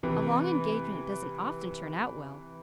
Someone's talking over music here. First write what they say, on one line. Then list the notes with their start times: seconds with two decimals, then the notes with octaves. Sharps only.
A long engagement doesn't often turn out well.
0.03 C3 E3